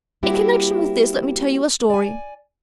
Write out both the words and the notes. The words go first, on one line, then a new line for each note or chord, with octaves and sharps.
In connection with this, let me tell you a story.
G3 A#3 C4 E4 F#4 G4
D5 G#5